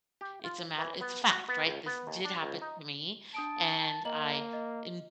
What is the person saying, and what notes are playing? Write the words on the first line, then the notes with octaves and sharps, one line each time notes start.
it's a mat" it's a fact, right? This did happen to me, and I am
G4
F4
E3
B3
F#4
B3
C#2
B3
D#2
D4
C#2
D#4
D4 A5 D#6 D7
F#7
A#3 D#5 A#5 F#7
D#5